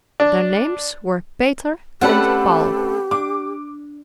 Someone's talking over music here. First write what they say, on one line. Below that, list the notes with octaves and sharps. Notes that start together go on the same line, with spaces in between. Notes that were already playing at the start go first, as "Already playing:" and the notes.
Their names were Peter and Paul.
D4
A3 C4 C#4 G4 A4 B4 D5 F#5
D4 D6